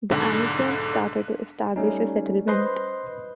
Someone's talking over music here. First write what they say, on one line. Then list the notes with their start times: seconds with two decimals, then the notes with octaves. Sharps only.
The emigrants started to establish a settlement.
0.11 B1 G#2 D3
1.76 G3 A3 C#4 D#4
2.48 B4 C5 D#5 C6